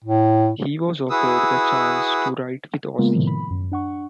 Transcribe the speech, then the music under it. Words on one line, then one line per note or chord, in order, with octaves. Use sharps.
He was offered the chance to write with Ozzy.
A2
E4 F#4 G#4 B4 D#6 E6
C#3 G#3 A#3 B3 F4 A#4
A2 C3 D#3 F3
B5
F#2
D4 F#5 C#6